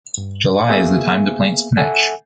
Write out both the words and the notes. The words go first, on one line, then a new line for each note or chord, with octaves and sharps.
July is the time to plant spinach.
G2
A#3 B3 G#4 E5 F5 G#5
A4 E5 F#5 G#5